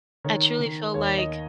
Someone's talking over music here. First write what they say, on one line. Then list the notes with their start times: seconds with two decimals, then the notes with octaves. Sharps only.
I truly feel like,
0.24 D#3 C#5
0.59 D#3
0.94 D#2 C#5
1.18 D#5